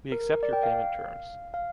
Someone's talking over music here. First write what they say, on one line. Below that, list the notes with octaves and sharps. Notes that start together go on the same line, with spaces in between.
We accept your payment terms.
A#4
A#4
D5
G5
F5
F5